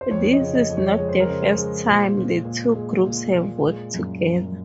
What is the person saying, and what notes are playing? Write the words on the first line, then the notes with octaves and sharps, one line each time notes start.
This is not the first time the two groups have worked together.
C5
F2 C#5
D#5
C#3
D#5
F2
C#5
G#3 C#5
C5
A#4
C#3 C5
G#3
A#2 C5
A#2
A#2
G#3
A#2
A#2
G#3
F#2
F#2